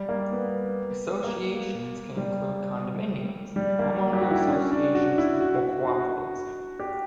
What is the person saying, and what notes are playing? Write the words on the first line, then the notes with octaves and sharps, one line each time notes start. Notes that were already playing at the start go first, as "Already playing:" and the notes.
Associations can include condominiums, homeowner associations or cooperatives.
Already playing: G3
A#3
B3
A#3
G3
G3
A#3
G4
F#4
E4
D4
C#4
D4
F#4
E4
F#4
F#4
G4